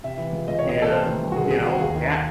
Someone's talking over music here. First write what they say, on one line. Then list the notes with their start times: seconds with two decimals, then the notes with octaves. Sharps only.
and, you know, ga
0.04 C3 E5
0.18 E3
0.33 C#2
0.48 C#2 D#5
0.59 C3 C#5
0.69 D#5
0.78 E3 A4
0.92 C3 C5
1.06 D#3
1.22 C2
1.32 F#4
1.36 C2 G#4
1.51 C3 G#4
1.66 D#3 F#4
1.80 D#2 G#4
1.96 D#3